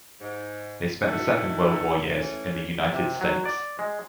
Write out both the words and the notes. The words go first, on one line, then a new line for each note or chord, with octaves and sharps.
They spent the Second World War years in the United States.
G#2
D#3 E4 F#4 A4
E3 A3 C#4
C3
F#3
D5
G#3